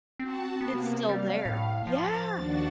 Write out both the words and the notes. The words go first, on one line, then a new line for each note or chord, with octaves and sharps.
It's still there, yeah.
C4 F#4 A5
C3 A#3 B3
G3 F5
A2
F3 A6
D#2 D4 F#4